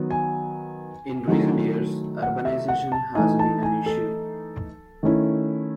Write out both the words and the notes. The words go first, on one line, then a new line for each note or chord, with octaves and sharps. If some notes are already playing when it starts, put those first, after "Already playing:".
In recent years, urbanization has been an issue.
Already playing: D#3 F#3 B3
G#5
D#3 F#3 A3 E4
F#5
E5
F#5
A5
E3 A3 D#4 G#5
A5
G#5
A4
D#3 A3 C#4 E4